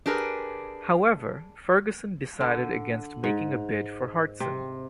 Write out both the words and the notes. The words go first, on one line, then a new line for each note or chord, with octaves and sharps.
However, Ferguson decided against making a bid for Hartson.
D4 G4 G#4 A#4 B4
D3
G#2
C3